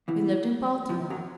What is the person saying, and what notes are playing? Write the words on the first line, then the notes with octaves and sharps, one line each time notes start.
We lived in Baltimore.
E2 E3
F2 F3
F#2 F#3